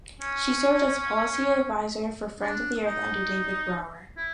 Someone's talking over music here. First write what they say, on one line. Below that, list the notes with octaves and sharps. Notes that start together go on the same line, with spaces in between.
She served as policy adviser for Friends of the Earth under David Brower.
C#4
D4
D#4
E4